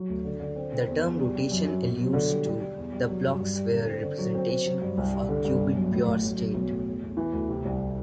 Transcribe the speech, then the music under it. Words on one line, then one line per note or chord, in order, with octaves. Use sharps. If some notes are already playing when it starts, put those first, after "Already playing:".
The term "rotation" alludes to the Bloch sphere representation of a qubit pure state.
Already playing: F#3
D2
D3
D3
C4
C4
E2
E2
G3
G3
F#2
F#2
B2
F#3
D3
G3
G3
G3
E2
G3
F#3
G2
G2
G3
D3
C4
D3
F#3
C4
C4
F#3
G2
C2
G3
D3
G2
G1
F#2
A2
A1
F#3
F#3
B1
A2
E2
E2
E3
D2
C3
C2